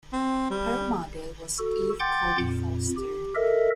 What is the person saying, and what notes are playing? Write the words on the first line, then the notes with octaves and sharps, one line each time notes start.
Her mother was Eve Cody Foster.
C4
G3
F#4 A4
F#5 G5 C6 D6 G6 A6
F2 A#2
G4
A4 A#4 D#5 E5